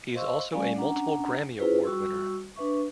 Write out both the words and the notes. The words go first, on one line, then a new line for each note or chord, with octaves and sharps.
He is also a multiple Grammy Award winner.
C5 D#5 F5 C6 C#6 E6
G3 A3 C#4 D5 F5 G#5
C#4 D4 F#5 A#5
C#4 E4 F4 G#4 B4 C5
G3 F#4 C#6 E6
D4 B4 E5 C#6